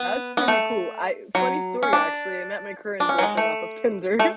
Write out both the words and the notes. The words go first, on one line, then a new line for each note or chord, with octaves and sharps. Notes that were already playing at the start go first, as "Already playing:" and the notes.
That's pretty cool. I funny story, actually, I met my current boyfriend off of Tinder
Already playing: B3
B3
A3
F#3
C#4
D4
D4
C#4
F#3
G#3
A3
A3